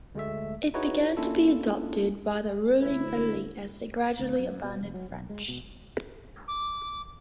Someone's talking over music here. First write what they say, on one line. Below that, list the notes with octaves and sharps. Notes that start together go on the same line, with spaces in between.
It began to be adopted by the ruling elite as they gradually abandoned French.
D2 G#3 A3 E5
D#4 E4 F#4 G#4 B4 C#5
A#3 C#4 D4 E4 F4 A4
D2 E4
D2
F#2
B2
F1
F#3
B1
G#3
B2
D6